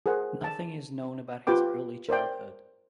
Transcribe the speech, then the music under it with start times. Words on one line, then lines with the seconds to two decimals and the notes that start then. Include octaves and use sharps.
Nothing is known about his early childhood.
0.06 G#4 A#4 C5 F#5
0.44 A5
1.47 F4 G4 B4 G5 D6
2.09 A#4 C5 D5 G5